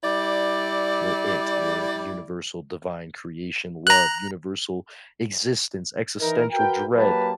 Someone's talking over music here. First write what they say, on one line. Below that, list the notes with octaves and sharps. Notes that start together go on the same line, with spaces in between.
we're it, or universal divine creation, love, universal existence, existential dread.
G3 E4 D5
A#5 F#6
E3 D#4 E4 A#4
F#4 A#4 B4 G5
F#3 A#3 G4 B4 A5